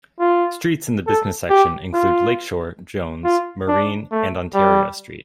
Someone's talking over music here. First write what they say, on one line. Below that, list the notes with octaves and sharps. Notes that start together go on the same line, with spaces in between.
Streets in the business section include Lakeshore, Jones, Marine, and Ontario Street.
F4
A4
G4
F4
F4
D4
A3
G3